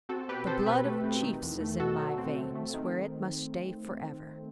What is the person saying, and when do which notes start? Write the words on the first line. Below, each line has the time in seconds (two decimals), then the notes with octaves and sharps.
The blood of chiefs is in my veins, where it must stay forever.
0.09 C4 F#4 A4
0.28 B2 G4 B4
0.47 C4 A4 C5
0.66 B2 G4 B4
0.85 A3
1.04 C4
1.22 D#3
1.42 E2
1.61 A3
1.80 B2 F#4 A4
1.99 F#3
2.18 C4
2.37 A3
2.55 A3
2.74 D#3